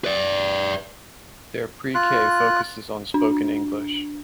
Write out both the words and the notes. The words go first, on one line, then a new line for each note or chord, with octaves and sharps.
Their Pre-K focuses on spoken English.
B4 D5
F4 F#6
D4